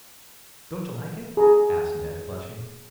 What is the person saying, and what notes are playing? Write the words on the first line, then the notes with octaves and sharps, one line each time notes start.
"Don't you like it?" asked Ned, flushing.
G#4 A#5